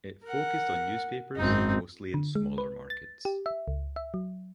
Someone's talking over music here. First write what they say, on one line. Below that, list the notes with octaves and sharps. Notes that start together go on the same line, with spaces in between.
It focused on newspapers, mostly in smaller markets.
A#4 F#5
G#1 F#2 C4 D#4
D3
G#3
B4
A6
G4
E5
C#2
E5
F#3